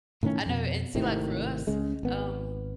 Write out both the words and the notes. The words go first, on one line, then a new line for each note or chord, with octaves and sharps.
I know, and see, like, for us, um
A2 D#3 B3 C#4
F2 B2
G#1 A2 C3 D#3
C#2 C#3 G#3
G#1 B3